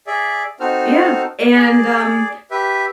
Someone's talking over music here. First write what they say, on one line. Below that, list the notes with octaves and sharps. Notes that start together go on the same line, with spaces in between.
Yeah, and, um,
G#4 D5 E5
C4 D#4 F#4 A4 C5 F6
G#4 D5
G4 B4 E5